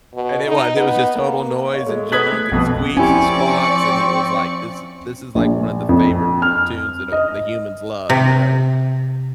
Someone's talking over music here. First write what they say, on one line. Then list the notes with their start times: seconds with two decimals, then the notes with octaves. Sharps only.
and it was. It was just total noise and junk and squeaks and squawks, and he was like, "This is This is, like, one of the favorite tunes that, uh, the humans love, you know and"
0.14 B2
0.47 D#4
0.77 B3
1.15 A#3
1.74 C#5
1.86 G#3 A3
2.12 B4 D#6 F#6 G#6 B6 F#7
2.33 A3
2.52 A#1 F2 B2
2.97 F3 C4 C#4 E4 G4 D5 G#5 C#6
5.35 A#1
5.89 F2
6.42 F6
7.12 D#5
8.10 C3